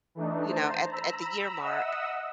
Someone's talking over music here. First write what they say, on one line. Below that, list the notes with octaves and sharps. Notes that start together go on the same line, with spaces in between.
you know, at at the year mark,
E3 A3 D4 D#4
C5 A5 A#5
A#5 B5 E6
D#5 E5 F#5 D#6 E6